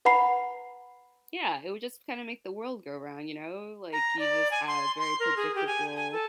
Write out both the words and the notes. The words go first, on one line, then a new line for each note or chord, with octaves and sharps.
Yeah, it would just kinda make the world go round, you know, like, you just have very predictable
B4 F#5 A#5 B5 C7
A#5
D5
G#5
C6
C6
A#4
G#4
G4
G#5
G#5
A4